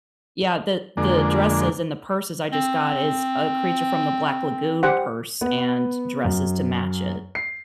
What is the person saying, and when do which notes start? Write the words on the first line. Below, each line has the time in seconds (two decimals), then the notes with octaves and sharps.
yeah, the the dresses and the purses I just got is a creature from the Black Lagoon purse and dresses to match it.
0.97 F2 D3 G#3 A#3 D4
2.53 C4
4.83 G4 C5 F#5
5.41 B3
6.25 F#2
7.35 C7